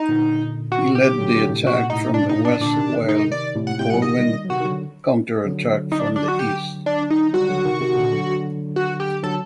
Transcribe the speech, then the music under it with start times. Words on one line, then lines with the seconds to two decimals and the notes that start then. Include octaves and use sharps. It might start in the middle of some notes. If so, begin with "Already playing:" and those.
He led the attack from the west while Baldwin counterattacked from the east.
Already playing: D#4
0.09 A#2 D3
0.72 F#4
0.95 G4
1.18 D3 F#3
1.34 D3 F#3
1.50 A2 C3
1.66 C3 F#4
1.79 A#2
1.90 A2 C3 D#4
2.14 D4
2.29 D#4
2.45 D4
2.61 A#2 D3 D4
2.76 C3 D#3
2.92 D#3
3.00 D3
3.06 C3 D#3 D#4
3.32 D5
3.55 A2 C3
3.67 F#5
3.78 A2 C3 G5
3.90 F#3 F#5
4.02 C3 D#3 D#5
4.19 D#3 G3
4.45 F#3
4.49 C3 D#3 F#4
4.60 D#3
4.65 D3 F#3
5.45 D3 F#3
5.92 D#4
6.00 D4
6.16 D4
6.28 F#4
6.39 G4
6.86 D4
7.10 D#4
7.33 D#3 G3 F#4
7.49 D3 F#3
7.65 C3 D#3
7.80 C3 D#3
7.96 A#2 D3
8.12 D3 F#3
8.76 F#4
9.00 G4
9.23 D3 F#3 A4